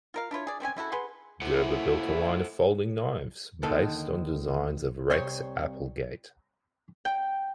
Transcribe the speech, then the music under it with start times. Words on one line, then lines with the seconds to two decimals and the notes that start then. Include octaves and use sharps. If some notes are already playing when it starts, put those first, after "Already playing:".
Gerber built a line of folding knives based on designs of Rex Applegate.
0.14 F4 A#4 F5
0.31 D4 E4 F4 C#5
0.47 G#4 D5
0.60 A3 C4 C#4 G#5
0.77 C#3 E4 F#4 A4
0.92 G#4 B4 F#5 C6
1.41 F#2 A#3 E4 A4 C5 F#5
3.63 D#2 D3 D#3 A4
5.10 C2 C5 C#5
7.05 G5